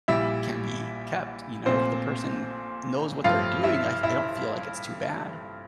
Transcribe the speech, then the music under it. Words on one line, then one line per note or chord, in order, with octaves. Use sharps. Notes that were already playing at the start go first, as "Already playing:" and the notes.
can be kept, you know if the person knows what they're doing, I f I don't feel like it's too bad,
A#1 A#2 G3 E4 E5
A#1 A#2 A3 C4 C5
A1 G2 F3 A3 F4 F5
E4 E5
E4 E5